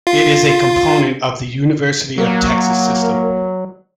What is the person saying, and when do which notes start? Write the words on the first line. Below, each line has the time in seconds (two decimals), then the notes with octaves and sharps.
It is a component of the University of Texas System.
0.07 F4
2.18 F#3 A#3